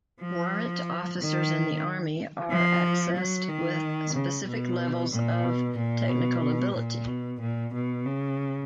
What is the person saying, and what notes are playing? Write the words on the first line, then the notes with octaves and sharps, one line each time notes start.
Warrant officers in the Army are accessed with specific levels of technical ability.
F3
D#3
F3
F#3
D#3
C#3
B2
A#2
B2
A#2
B2
A#2
B2
A#2
B2
C#3